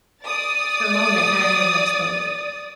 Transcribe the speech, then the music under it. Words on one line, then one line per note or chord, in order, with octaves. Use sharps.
For a moment neither of them spoke.
D5 D#6 A6